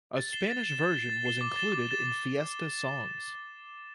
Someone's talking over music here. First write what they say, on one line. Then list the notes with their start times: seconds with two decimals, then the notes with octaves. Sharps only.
A Spanish version was included in Fiesta Songs!
0.17 A6
0.32 C7 E7 G7
0.48 A6
0.63 C7 E7 G7
0.79 A6
0.94 C7 E7 G7
1.10 A6
1.25 C7 E7 G7
1.41 D6
1.56 A6 E7 G7
1.72 D6
1.88 A6 E7 G7